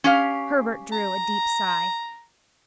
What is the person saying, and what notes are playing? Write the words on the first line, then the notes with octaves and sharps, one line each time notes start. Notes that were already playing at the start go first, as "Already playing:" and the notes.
Herbert drew a deep sigh.
C#4 G4 F5
A#5